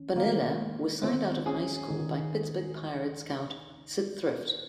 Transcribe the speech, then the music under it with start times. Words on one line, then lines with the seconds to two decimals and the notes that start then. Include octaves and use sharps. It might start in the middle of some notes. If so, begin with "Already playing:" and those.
Bonilla was signed out of high school by Pittsburgh Pirates scout Syd Thrift.
Already playing: D#3 C#4
0.15 D#3 A#3
0.60 G#3
1.03 D#3 C4
1.46 C#4 G#4
1.90 D#3
2.34 G#3